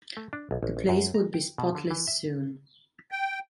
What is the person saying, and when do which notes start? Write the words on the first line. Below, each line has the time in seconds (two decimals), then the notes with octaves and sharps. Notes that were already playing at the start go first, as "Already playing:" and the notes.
The place would be spotless soon.
0.17 A3
0.33 D4
0.51 B1
0.63 A1
0.77 A1
0.89 F#2
1.14 A#5
1.34 G5
1.58 B2
1.75 D3
1.91 E3
2.08 E5
3.11 G5